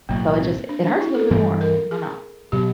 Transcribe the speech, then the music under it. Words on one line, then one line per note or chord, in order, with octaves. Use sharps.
So it just it hurts a little bit more. I don't know.
B1 A2 F#3 A#3
C4
D4
D4
E4
A4
G2 E3 G3 C4 A4
A#4
G#4
B2 F#3 G4